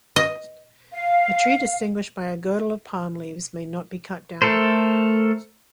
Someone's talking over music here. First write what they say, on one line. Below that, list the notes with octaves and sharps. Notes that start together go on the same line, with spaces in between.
A tree distinguished by a girdle of palm-leaves may not be cut down.
D#5
F5
A3 A4 A#4 C5